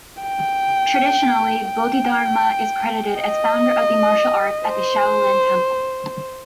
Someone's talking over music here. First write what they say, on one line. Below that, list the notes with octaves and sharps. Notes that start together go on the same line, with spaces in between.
Traditionally Bodhidharma is credited as founder of the martial arts at the Shaolin Temple.
G5
G5
D#5
C5